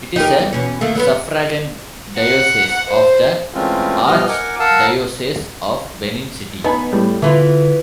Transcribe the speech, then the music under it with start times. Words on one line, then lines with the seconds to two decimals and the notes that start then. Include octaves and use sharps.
It is a suffragan diocese of the Archdiocese of Benin City.
0.16 D#4 G4 A#4
0.39 E2
0.53 E2 B2 C#4
0.81 D#3 A3 A#3
0.95 F#3 A#3 B3
2.17 F#5
2.90 C5
3.54 E3 G#3 A3 C4 C#4 F4
4.06 B2 F3 G3 B3 D#5 F6
4.28 A#4 F#5 G#5 D6
4.59 A#4 F5 F#5 A5 E6
6.64 B3 D#4 G#5 B5
6.92 A2 G3 A3
7.22 D3 E3 B3 F4 E5